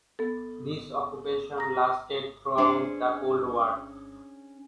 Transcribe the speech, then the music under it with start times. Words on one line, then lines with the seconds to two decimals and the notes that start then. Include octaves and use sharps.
This occupation lasted throughout the Cold War.
0.19 B3 A4
1.58 A#5 A#6
2.58 C#4 D4 G#4 C5